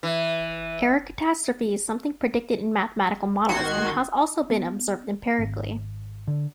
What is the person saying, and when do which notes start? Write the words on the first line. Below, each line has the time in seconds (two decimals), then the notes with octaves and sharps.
Error catastrophe is something predicted in mathematical models and has also been observed empirically.
0.03 E3
3.49 G#1 D#3 F#4 C6 G#6
4.50 B3
5.39 G#1
6.28 D3